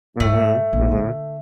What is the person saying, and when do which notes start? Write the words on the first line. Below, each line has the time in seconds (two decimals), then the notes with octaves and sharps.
Mhm, mhm.
0.20 G#2 A3
0.73 A#1
0.91 D3